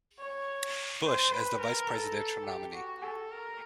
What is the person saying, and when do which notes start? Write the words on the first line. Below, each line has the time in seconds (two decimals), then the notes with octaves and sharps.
Bush, as the vice-presidential nominee.
0.19 C#5
1.04 C5
1.32 B4
1.61 A#4
1.89 A4
2.46 G4
2.75 F#4
3.03 A4
3.31 A#4